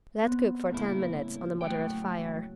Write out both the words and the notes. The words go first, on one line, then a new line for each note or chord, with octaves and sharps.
Let cook for ten minutes on a moderate fire.
B3 C4
C2 A2 C#3 A#3 E4
F#3 A3 G5